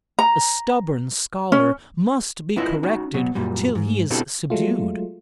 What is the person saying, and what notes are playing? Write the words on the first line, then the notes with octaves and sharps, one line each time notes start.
A stubborn scholar must be corrected till he is subdued.
A#5
C#4
C#4 E4 F4 B4 D#5 E5
C#4 D#4 F#4
B2 F#3
F#2 A#2 G3
G#2
B2 C4 D4 E4 G4 A4
F#3 G#3 A3 F4